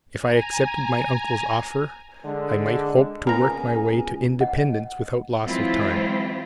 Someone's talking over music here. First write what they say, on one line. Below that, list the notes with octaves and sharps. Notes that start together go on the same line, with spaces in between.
If I accepted my uncle's offer, I might hope to work my way to independence without loss of time.
G#5 A#5
D3 G#3
C#2 B3 A#4 G#5 A#5
D#5 F#5
E3 F#3 G#3 C4 E4 F4